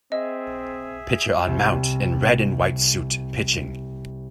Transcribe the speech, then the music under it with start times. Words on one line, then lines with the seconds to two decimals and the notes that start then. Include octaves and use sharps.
Pitcher on mount, in red and white suite, pitching.
0.12 C4 G#4 D#5 E5
1.47 C2 C3